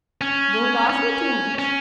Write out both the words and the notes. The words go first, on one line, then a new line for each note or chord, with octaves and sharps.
'Don't ask me too much.
C#4
C#4
C#4